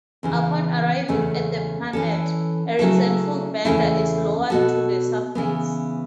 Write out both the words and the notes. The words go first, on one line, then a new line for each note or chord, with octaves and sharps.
Upon arriving at the planet, a resentful Bender is lowered to the surface.
E2 C#3 E3
E2 C#3 A3 C#4
E3 C#4 A4
C#3 F#3 A3 E4 A4
E2 C#3 A3 C#4 E4
B2 B3 F#4 A4
C#3 E3 B3